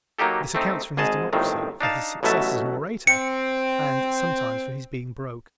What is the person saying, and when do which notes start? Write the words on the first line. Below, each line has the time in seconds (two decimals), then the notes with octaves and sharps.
This accounts for his democracy, for his success as an orator, and--sometimes for his being "broke."
0.19 F#3 A#3 D#4 G4 A4
0.55 A3 C4 D#4
0.97 G#1 G#2 G#4 D#5 A5
1.33 G1 F2 A2 D#3 C4
1.81 D4 D#4 F5 A5
2.23 A1 B2 F#3 A3 E5 A5
3.07 C4 C#7